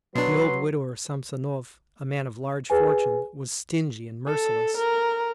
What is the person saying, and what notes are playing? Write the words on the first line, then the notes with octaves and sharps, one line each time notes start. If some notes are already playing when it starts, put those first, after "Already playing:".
The old widower Samsonov, a man of large fortune, was stingy and merciless.
B2 F#3 D4 B4 C6
G#4 B4 G#5
A4
A#4